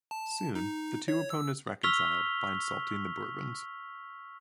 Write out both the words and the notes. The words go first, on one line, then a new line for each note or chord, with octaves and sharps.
Soon the two opponents reconciled by insulting the Bourbons.
A5
D#4
C#5
E6
C#6 E6 F6 B6 F7 G7